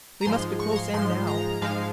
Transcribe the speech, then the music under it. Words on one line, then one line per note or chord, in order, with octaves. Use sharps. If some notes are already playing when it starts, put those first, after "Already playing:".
We must be close in now!
A#5
G#2 F3 G#3 C6
C#6
A#5
C6
G#2 F3 G#3 C6
A#5
G#2 F3 G#3 F5